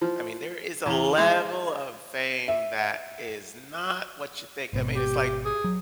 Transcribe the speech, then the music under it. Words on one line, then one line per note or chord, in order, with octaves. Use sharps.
I mean, there is a level of fame that is not what you think, I mean, it's like,
F3
E2
G#3
E5
G#1 B2
G4
G#4
F#3